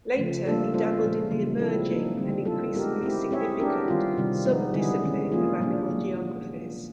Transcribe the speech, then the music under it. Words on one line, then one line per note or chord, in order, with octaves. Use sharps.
Later, he dabbled in the emerging, and increasingly significant, sub-discipline of animal geographies.
C#3 F3 A3
G3 A#3 D4 F4 A4
G#3 C#4 F4 A4 C5
A#2 F3 A3
C#3 E3 G3 A#3
F3 G#3 C4 E4 A4
F3 A#3 D#4
D3 G3 C4
C4 F4 A4
G#3 B3 D#4 G4 A#4
C4 E4 G4
C4 E4 G#4 C#5 E5
B3 D4 G4 A#4
D#3 G3 C4 F4
C3 D#3 G3 C4
F3 G#3 B3 D#4
D3 G3 B3 E4 G#4
D#3 G#3 C#4
F3 A#3 C#4 F4 G#4
A#2 F#3 A#3 D4
D#3 F#3 A#3